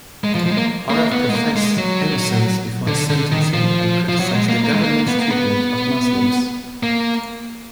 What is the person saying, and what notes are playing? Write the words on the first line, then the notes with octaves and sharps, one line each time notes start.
Aref professed innocence before his sentencing, and criticized the government's treatment of Muslims.
G#3
F3
F3
G#3
A#3
A#3
B3
G#3
A#3
G#3
F#3
D3
D3
D#3
F3
F3
F#3
G#3
A#3
A#3
G#3
A#3
B3
A#3
B3
A#3